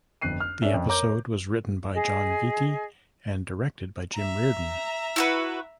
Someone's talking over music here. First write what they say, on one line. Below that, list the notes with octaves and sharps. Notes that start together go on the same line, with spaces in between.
The episode was written by Jon Vitti and directed by Jim Reardon.
G1 F2 F#6 C7 D#7
F6
C#4 D4 A#4 E5
F2
A#4 C#5 A#5 D6 G6
G#4 D#5
E5 A#5
E4 F#4 B4